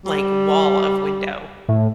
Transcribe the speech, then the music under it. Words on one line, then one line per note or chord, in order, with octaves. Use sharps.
like, wall of window
G3
A2